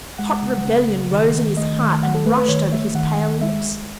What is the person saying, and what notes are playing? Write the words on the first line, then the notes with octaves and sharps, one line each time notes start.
Hot rebellion rose in his heart and rushed over his pale lips.
G#3 F#5
C#3
C#3
C#3
D#3
D#3
A3 D#5
D#3
D#3 F#5
A4
A3 B4
B4
D#3 C#5
A3 E5
D#3 F#5
D#3
G#3 E5
G#3